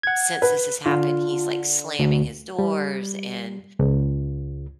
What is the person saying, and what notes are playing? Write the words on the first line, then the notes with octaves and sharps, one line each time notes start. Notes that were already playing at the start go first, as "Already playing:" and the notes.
since this has happened, he's, like, slamming his doors and
F#5 G#6
B4
D3 F4
D2
G3
C#2